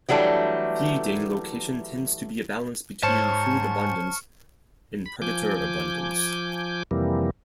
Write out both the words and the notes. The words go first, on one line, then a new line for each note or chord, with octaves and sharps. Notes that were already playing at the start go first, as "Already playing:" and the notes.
Feeding location tends to be a balance between food abundance and predator abundance.
E3 F#3 G3 A3 D4
G#2 C5 C#5 A5 C#6 F6 C#7
B5
F3 G#5 D6 G6
F2 C3 E3 G3 A#3